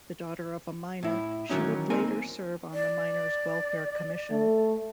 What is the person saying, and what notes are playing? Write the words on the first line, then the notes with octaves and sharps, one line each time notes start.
The daughter of a miner, she would later serve on the Miners' Welfare Commission.
A2 E4
D#3 E3 F#3 C#4 D#4
A#3 C4 D#4 A#4 G#5
D5
A3